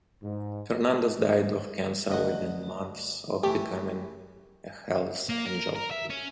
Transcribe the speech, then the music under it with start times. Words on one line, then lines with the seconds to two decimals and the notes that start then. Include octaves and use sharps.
Fernandes died of cancer within months of becoming a Hells Angel.
0.23 G#2
2.10 D2 D#5 F#5
3.43 E3 A3 G4
5.29 A#3
5.46 A#4
5.76 A#4
5.91 E5
6.10 C#4